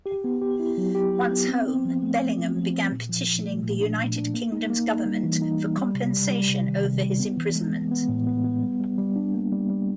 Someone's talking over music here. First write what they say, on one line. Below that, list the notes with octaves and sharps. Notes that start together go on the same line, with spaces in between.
Once home, Bellingham began petitioning the United Kingdom's government for compensation over his imprisonment.
G4
B3
G4
E4
F#3
G4
F#3
B3
C4
C4
F3
A3
C4
F3
F3
C4
A#2
F3
F3
A3
A#2
D4
A#2
D4
A#3
D#4
A#3
D#4
G3
E3
D#4
G3
G3
C3
G3
G3
C3
D#3
C3
G3
B3
E3
G#3
B3
B3
A2
B3
B3
G3
G3
G3
D4
A#3
G3
G3